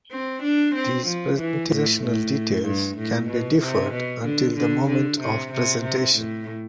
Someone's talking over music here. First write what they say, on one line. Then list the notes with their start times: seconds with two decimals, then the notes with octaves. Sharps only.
These presentational details can be deferred until the moment of presentation.
0.11 C4
0.43 D4
0.75 C4
1.06 F3
1.39 E3
1.71 A2
2.02 A2
2.66 G2
2.97 A2
3.29 B2
3.61 C3
3.93 B2
4.25 D3
4.56 D3
4.88 D3
5.20 C3
5.52 C3
5.83 C3
6.15 A2